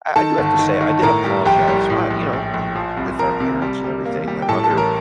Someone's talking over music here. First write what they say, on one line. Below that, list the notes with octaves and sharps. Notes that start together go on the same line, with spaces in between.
I I do have to say, I did apologize, uh, you know, eh, with our parents and everything. My mother
D#3 A4 A5
G1
D#3
D#3
A2 A#4 A#5
G3
A#1 G4 G5
G3
A2
A#1
A#1
A#1
F3
C2
F3 A#4 A#5
C3
G3
G3
A#3
G3
G5
A2 A4 A5
A4 A5
A1
A#4 A#5